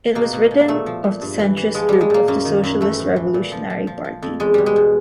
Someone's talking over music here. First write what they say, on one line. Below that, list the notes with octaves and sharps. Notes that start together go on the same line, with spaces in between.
It was written of the Centrist group of the Socialist Revolutionary Party.
B2 A#3
B2
B2
A#3
A#2 A3
F3
A#2
G2
E3
E3
F3 G#3
F3 G3
G#3
A#2 A#3
F#2 A#3
D#3
F#2
E3 A3
A2
E3
A#2
F3
F3
F3
F3
F2
E2 G#3
B2 G3
G#3
B2